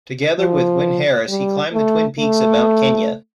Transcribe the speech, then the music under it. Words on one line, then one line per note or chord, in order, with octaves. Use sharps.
Together with Wyn-Harris he climbed the twin peaks of Mount Kenya.
F3
G3
A3
A3